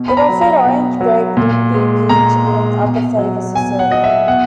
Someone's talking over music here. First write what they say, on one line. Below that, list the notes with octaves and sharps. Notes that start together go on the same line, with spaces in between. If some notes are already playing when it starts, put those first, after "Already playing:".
It offered orange, grape, root beer, peach, and other flavors of soda.
Already playing: B2
B5
A#5
F#3
A#5
B2
F#3
A#2
G#3
A#2 A#5
G#3
B2
F#3
B2 G#5
F#5
F#3 D#5
E5
B2 F#5